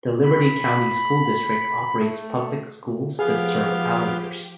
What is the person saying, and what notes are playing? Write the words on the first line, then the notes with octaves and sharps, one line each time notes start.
The Liberty County School District operates public schools that serve Allenhurst.
B5
A3
F3 B3 G4 G#4 F5